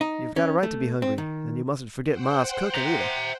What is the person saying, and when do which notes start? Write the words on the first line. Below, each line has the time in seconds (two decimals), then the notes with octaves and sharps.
You've got a right to be hungry, an' you mustn't forget Ma's cookin' either.
0.01 D#4
0.36 C#4
0.63 A3
1.02 C4
1.18 D#3
2.07 C5 F#5 G5
2.74 E5 A#5